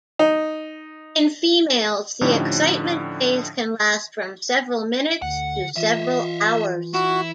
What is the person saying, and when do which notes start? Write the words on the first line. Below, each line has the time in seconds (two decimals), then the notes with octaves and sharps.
In females, the excitement phase can last from several minutes to several hours.
0.19 D#4
2.21 A2 D3 F3 C#4 D#4 G4
5.22 D2 D3 F#5
5.77 E3 F4 D#5 E5
6.94 E4 F#4